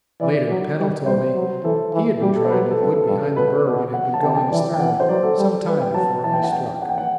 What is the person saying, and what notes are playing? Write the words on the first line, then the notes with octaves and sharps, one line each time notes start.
Later Pennell told me he had been trying to look behind the berg and had been going astern some time before he struck.
E3 D5
D5
F#3
G3
G3 C5
F#3
E3 A4
E3
G3 G4
A4
C5
F#3 B4
A4
G2 B4
A4
G2 A4
A4
B2 B4
B2
F#5
A5
C3 G5
A5
G5
E3 D5
G5
E3 F#5
C5
F#3 D5
A4
G3
G3 B4
G5
F#3 A5
E3 A5
G5
F#5
G5
F#5
G5
F#5